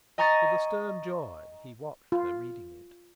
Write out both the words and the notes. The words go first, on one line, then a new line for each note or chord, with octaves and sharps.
With a stern joy he watched her reading it.
D#5 G#5 A#5 C#6 A6 A#6
F4